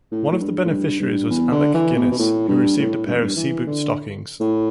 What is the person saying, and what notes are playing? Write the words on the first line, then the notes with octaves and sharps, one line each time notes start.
One of the beneficiaries was Alec Guinness, who received a pair of seaboot stockings.
A2
A2
G2
A2
G2
G2
E2
D3
E3
B2
B2
A2
G2
A2
G2
E2
G2
E3
D3
A2